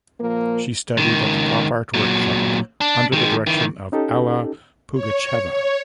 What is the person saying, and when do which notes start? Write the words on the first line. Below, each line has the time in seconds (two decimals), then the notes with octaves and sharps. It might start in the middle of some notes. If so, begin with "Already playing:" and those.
She studied at the pop art workshop under the direction of Alla Pugacheva.
0.21 A#2 F3 A#3
0.97 C#2 D#3
1.94 A#2 F#3
2.81 D4
3.13 D#3 G#3
3.47 D#3 E3
3.92 C#4 D#4 G4 A4
4.94 C#5
5.51 C#5